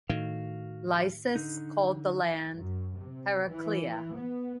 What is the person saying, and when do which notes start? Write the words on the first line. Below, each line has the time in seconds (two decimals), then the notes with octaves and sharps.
Lycus called the land Heraclea.
0.09 A2 D#3 F#4 F5
1.36 D3 D#4
2.55 F#2
2.97 C3
3.46 E3
4.15 B3